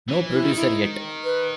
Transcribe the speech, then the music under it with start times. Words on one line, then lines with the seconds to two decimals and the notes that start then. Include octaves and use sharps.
No producer yet.
0.09 E3
0.33 E4
0.45 D#3
0.56 E4
1.24 B4